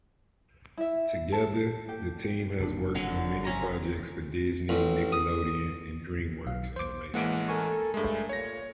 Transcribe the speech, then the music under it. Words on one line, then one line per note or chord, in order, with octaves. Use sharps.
Together, the team has worked on many projects for Disney, Nickelodeon, and DreamWorks Animation.
E4 E5
A4
G4
F#1 D4
D3 F#3
C3 C#4 A#5
A1
D#6
B1 F5
C5 D6
A1 E3 G#3 A#3 F#5
A4 A#4 G#5 C#6
G2 G#3 A3
A#2 C#5 A#6